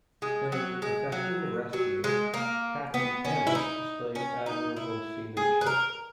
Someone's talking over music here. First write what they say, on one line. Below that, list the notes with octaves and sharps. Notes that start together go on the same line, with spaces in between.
In effecting the rescue, Captain Hamlet displayed admirable seamanship.
G#3
F#3
G#3
F#3
F#3
G#3
A#3
B3
C#4
E4
D#4
C#4
D#4
E4
G#4
B4
A#4